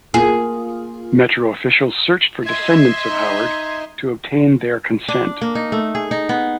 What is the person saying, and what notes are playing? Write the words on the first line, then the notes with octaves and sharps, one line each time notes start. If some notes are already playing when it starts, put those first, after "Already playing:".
Metro officials searched for descendants of Howard to obtain their consent.
A#3 F4 G#4
D#5 E5 C6 G#6
D#4
D4
A#3
D#4
A3
G#4
D#4
B3